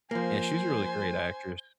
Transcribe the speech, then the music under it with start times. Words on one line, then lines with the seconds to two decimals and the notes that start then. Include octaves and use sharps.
Yeah, she's a really great actress.
0.11 F3 A#3 C5 G#5